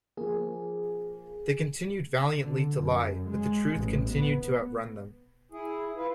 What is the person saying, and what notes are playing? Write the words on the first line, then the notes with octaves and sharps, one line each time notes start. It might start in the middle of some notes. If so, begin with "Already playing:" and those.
They continued valiantly to lie, but the truth continued to outrun them.
F3 A#3 G#4
D3
F#2
G#3
A1
B3
E4 G#4
E4 F4 B4